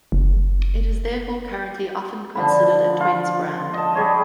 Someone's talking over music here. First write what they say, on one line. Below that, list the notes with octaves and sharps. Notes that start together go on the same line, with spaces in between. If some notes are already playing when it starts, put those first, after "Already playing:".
It is therefore currently often considered a Twents brand.
F#1
D3 F3 B5
F4
D#5 A5
G3 G#4 C#5